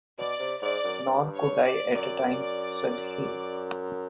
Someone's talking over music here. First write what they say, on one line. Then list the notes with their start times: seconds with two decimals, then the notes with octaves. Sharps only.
"Nor could I — at the time," said he.
0.18 B2 D5
0.40 C3
0.62 G#2 D5
0.84 F#2
1.06 G2
1.35 C#5
1.64 D5
1.94 F#2 D5